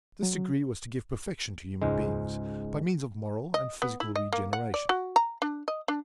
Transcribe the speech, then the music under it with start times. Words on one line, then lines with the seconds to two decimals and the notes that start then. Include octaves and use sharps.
This degree was to give perfection to human beings, by means of moral and physical regeneration.
0.23 F#3
1.82 C#2 G#2 G#3
3.54 D#5
3.82 B3
4.00 E4
4.16 D#5
4.33 A#3
4.53 F#5
4.74 D5
4.89 F#4
5.16 A#5
5.42 D4
5.68 D#5
5.88 D4